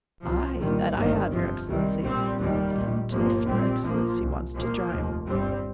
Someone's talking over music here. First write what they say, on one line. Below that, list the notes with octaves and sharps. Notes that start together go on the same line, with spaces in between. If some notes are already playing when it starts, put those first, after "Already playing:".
"Aye! that I have, your Excellency, and if your Excellency wants to drive . . ."
C2 C3 F3
A#1 A#2 D#3 G3
G1 G2 D#3 G3
G1 F2 C3 F3
C2 C3 D#3 G3
A#1 A#2 G3 C4
F1 D#2 D#3 G3
A#1 A#2
G1 G2 F3 A#3
A#1 A#2 G3 C4
A#1 A#2 F3 A#3
C2 A#2
A#1 A#2 F3 A#3
F1 D#2
G1 G2 G3 C4